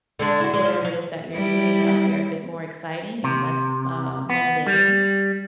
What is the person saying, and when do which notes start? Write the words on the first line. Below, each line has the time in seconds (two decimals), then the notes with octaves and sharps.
whatever it is that you're doing out there a bit more exciting and less, uh, mundane,
0.19 D3 G#3 D4
0.40 E4 F#4
0.53 G#3 D5
0.65 F3
0.81 D#3 F#3
1.32 G3 E4
3.24 C3
4.30 B3
4.67 G3